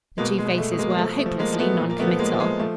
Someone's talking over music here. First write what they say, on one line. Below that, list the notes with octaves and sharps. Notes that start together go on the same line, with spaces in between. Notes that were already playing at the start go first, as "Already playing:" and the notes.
The two faces were hopelessly non-committal.
B2 G#3 A#3
G#3
B2
A3
B2
G#3 A#3
G#3
F3 A3
A3
F3
G#3 A#3
F3
A3 B3
A#2
A#3
A3 B3
F3
G#3 A#3
F3
G#3
F3 A3